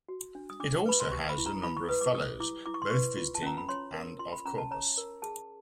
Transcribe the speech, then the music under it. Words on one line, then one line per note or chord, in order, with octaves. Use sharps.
It also houses a number of fellows, both visiting and of Corpus.
F#4
D4
D#6
D4 D6
B4 B5
C6
G4 C#6
B5
E4
A#5
E4 B5
C#6
B4 D#6
D6
G4 D#6
E4 D6
E4 D6
C#6
C6
B4 C#6
F4
A5
C#4 A#5
B5
C#5 C6
A#4
F4 C6
B5
C#4 A#5
A5
C#5 A#5
A#4
G#4 A5